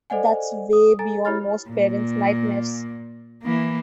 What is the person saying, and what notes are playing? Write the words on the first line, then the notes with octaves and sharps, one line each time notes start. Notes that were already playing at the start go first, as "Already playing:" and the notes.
That's way beyond most parents' nightmares.
A4 C5 D5 D#5 F#5 G#5
D#6
A4 G#5 A#5 A6
E4 G4 C#5 B5 F6 A6
A#2
E3 A#3